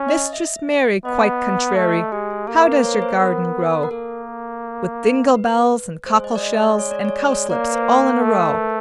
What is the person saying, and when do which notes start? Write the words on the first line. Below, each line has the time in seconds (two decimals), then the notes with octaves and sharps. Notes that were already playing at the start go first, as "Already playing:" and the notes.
Mistress Mary, quite contrary, How does your garden grow? With dingle bells and cockle shells And cowslips, all in a row.
Already playing: C#4
0.09 D#5
0.33 E5
1.05 B3 D#5
1.76 A3 D#5
1.95 A4
2.12 G#3 G4
2.30 G#4
2.47 A#3 A4
2.59 A#4
2.66 B4
2.80 C5
2.84 C#5
2.95 B4
3.02 C5
3.20 B3 A#4
3.83 A#4
3.91 A#3 A4
5.35 B4
6.06 G#3 C5
6.24 D#5
6.35 D5
6.42 D#5
6.61 D5
6.79 C#5
6.91 D5
7.05 C#5
7.18 D5
7.30 C#5
7.49 A#3 D5
7.70 B4
7.74 C5
7.98 A#4
8.22 A3 A4
8.38 B4
8.45 A#4